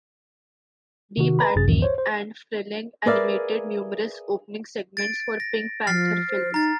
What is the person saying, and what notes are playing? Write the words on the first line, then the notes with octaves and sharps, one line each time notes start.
DePatie and Freleng animated numerous opening segments for Pink Panther films.
C3 D#3 F#4
B4 A#5 B5
G#1 F#2 C3 G#4 A6
C#2 F#2 A2 D#3 E3 F#3
C5 C#5
C5
G#4 A#4 B4 D5 E5 F5
A6 D7
A#6
F3 F6 A6 C7
C5
D#4 A#5 A6